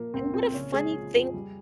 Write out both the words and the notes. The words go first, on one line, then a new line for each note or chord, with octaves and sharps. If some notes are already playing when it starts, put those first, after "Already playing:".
And, and what a funny thing to
Already playing: A#2 F3 A#3
C2 C4
A#2 C4
C#3 C#4
G#3 G#4
F3
F2
G3